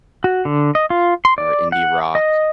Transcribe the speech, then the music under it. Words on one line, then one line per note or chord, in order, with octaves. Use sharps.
or indie rock,
F#4
D3
D#5
F4
C6
D5
F#5
D#5